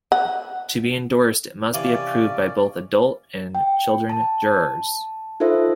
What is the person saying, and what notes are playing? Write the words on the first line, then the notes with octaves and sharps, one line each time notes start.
To be endorsed, it must be approved by both adult and children jurors.
F#5
C3 E3 C#4 D5 F5
G5
A5
D#4 F4 A4 C5 E5